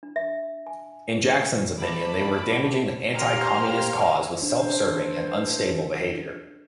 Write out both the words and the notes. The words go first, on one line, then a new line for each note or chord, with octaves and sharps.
In Jackson's opinion they were damaging the anti-Communist cause with self-serving and unstable behavior.
D4
E5
G#5
A3 A5 B5 D6
A#3 C4 G4 A#5 C6 F6
D4 A4 B4 C5